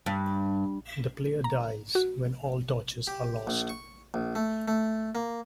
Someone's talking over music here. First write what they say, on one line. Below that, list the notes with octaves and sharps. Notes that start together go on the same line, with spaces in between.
The player dies when all torches are lost.
G2
A#5
F#4
G4
A#1
C#6
A#1
A3
A3
A#3